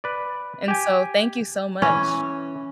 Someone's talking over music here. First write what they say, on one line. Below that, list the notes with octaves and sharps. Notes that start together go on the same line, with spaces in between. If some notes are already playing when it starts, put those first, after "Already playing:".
And so, thank you so much,
B4 D5
G4 G#5
E3 C#4